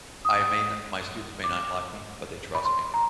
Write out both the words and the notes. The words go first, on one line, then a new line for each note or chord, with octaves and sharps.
I may not my students may not like me, but they trust me.
D#6
D6
B5
C6
A#5